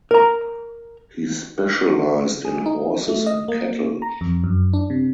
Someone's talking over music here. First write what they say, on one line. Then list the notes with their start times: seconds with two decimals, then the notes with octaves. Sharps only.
He specialized in horses and cattle.
0.11 A#4 A#5
2.45 G#4
2.66 D#4
3.08 A3
3.26 D#5
3.48 A#3
4.02 A#5
4.21 F2
4.44 F#2
4.73 D4
4.90 C3